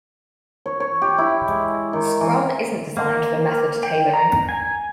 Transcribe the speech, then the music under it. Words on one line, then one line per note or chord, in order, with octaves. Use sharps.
Scrum isn't designed for method tailoring.
C#5
C#5
G4
E4
G#3
D#3
E3
A#3
G5
A#5
G#5